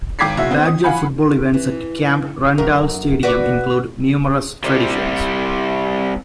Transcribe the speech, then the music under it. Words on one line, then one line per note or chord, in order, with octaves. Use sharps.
Badger football events at Camp Randall Stadium include numerous traditions.
G#1 G5 D6 G#6 B6 C7
F#1 F#4 E5
B3 C4 D#4
D#6
F5 F#5 G#5 B5
E3
F#2 A#4
F#4 B4 D5
C3 G3